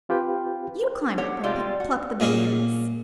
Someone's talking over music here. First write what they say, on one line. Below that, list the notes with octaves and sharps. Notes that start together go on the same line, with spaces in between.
You climb up and pluck the bananas.
C4 F4 G4 B4 G5
F#4 G4 A4 C#5 F#5
C3 G3 G#3 D#4 F4
F#4
A#2 A#3 C#4 G#4